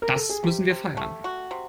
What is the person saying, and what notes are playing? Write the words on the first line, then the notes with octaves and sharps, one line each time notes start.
Das müssen wir feiern.
A#4
A4
G#4
C3 G4
C3
A3
F#4
C3